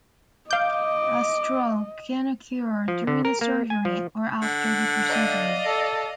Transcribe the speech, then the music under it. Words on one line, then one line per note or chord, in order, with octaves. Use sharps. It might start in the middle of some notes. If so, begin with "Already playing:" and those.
A stroke can occur during surgery or after the procedure.
D#5 F5 D6 G6
F3
D3
A#4
A#3
G#5
F3
D3 F#5
D5 D#5 F5
A4